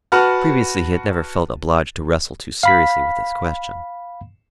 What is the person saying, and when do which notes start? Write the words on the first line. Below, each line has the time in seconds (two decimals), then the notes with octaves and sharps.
Previously he had never felt obliged to wrestle too seriously with this question.
0.12 F#4 B4 F#5 A5 F6
2.63 F5 B5 B6